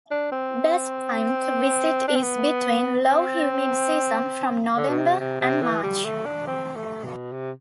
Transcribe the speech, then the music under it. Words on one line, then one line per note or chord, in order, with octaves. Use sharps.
Best time to visit is between low humid season from November and March.
D4
C4
D4
C4
B3
C4
D3
B2
C3
C3
C3
E3
G3
A3
D4
C4
A3
B2
C3